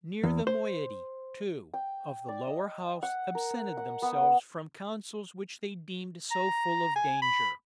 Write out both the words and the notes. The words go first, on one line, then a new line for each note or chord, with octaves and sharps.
Near the moiety, too, of the lower house absented themselves from counsels which they deemed so full of danger.
E2
C5
G5
D5
D#5
F#5
A#4
F#5
B3
B4
A#5
G#5
B5